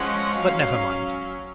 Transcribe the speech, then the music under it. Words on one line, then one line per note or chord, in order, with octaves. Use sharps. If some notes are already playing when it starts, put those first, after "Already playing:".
But never mind!
Already playing: F3 G#3 C#4 F#5
F#3 C#4 F5